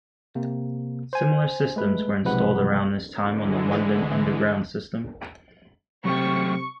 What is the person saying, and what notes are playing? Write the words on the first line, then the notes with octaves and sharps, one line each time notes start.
Similar systems were installed around this time on the London Underground system.
C3 A#3
C5 G#5
G#3 A3 B4
B1 C3 F3 G#3 B4 F#5
D3 E3 G#3
C3 F#3 A3 G5 C#6